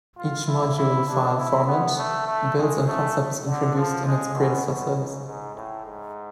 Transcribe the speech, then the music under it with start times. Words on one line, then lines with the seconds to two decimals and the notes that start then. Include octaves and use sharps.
Each module file format builds on concepts introduced in its predecessors.
0.17 F4
0.46 E4
0.77 E4
1.07 D4
1.37 E4
1.66 B3
1.97 A3
2.27 A3
2.57 G#3
2.87 A3
3.46 D3
3.76 F3
4.06 G#3
4.36 B2
4.66 B2
4.96 G#2
5.25 G#2
5.55 A2
5.85 G#2